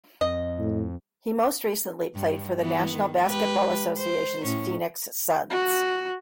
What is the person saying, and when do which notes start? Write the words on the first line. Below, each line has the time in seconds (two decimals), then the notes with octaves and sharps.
He most recently played for the National Basketball Association's Phoenix Suns.
0.21 F2 D#5
0.59 A2
2.15 G2
2.60 E3 B3
2.94 D#3
3.25 G#3 G4 B4
3.98 C5
4.44 A2 C#4
5.50 F#4